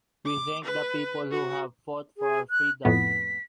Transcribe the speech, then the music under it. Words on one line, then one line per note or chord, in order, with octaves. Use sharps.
We thank the people who have fought for our freedom.
D6
B4
F#4
G#4
F#6
F2 A2 B3 B6